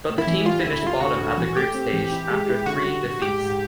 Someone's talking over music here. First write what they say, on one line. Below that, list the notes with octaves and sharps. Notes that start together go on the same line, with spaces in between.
But the team finished bottom at the group stage, after three defeats.
A2
E4
E3
G3 F4
E4
D2
E4
G3 F4
D2 F#4
D2
E3
A3 G4
C4
E3
E4
G#3
E4
D3 F#4
G3
G3
G#2 G4
G#2